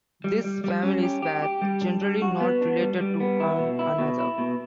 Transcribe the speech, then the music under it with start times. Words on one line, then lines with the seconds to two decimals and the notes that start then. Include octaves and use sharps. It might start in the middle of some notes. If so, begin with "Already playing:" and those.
These families were generally not related to one another.
0.24 G3
0.44 G3
0.64 G3
0.83 C#4
1.03 G4
1.22 G4
1.42 G4
1.62 G3
1.81 D4
2.01 G3
2.22 F#4
2.40 B3
2.61 D4
2.80 G3
3.00 G3
3.20 B3
3.40 E4
3.59 B2
3.79 E4
3.99 B2
4.19 E4
4.38 B2